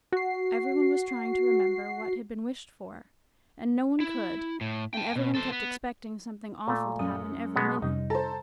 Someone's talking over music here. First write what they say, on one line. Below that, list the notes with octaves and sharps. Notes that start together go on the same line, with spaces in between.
Everyone was trying to remember what had been wished for, and no one could, and everyone kept expecting something awful to happen every minute.
F#4 C7
E4
A2
G5 A5
B2
A4 C5
B3
A#2 A3
F#2 D#6
B2 G#3 B3
F2 C3 G3 D#4
A4 C5 A#5